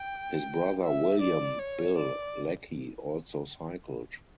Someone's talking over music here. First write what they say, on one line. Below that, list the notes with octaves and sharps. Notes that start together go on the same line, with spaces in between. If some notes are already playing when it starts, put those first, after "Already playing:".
His brother William "Bill" Lackey also cycled.
Already playing: G5
E5
D5
C#5
D5